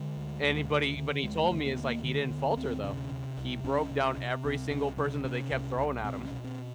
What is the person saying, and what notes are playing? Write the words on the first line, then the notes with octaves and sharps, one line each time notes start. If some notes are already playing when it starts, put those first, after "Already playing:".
And he but he but he told me it's like he didn't falter though, he broke down every single person that they kept throwing at him.
Already playing: D3 G#3
D2
D2
D3
D3
D2 G#3
A3
D2
A#3
D3 B3
A#3
D3 A3
D2 B3
C#4
D2 C4
C3 C#4
C3
C2
C2 C#4
C3
C3
C2 C4
C2 C#4
C3 C#4
C3 C#4
C2
C2
B2 C4
C#4
B2
C4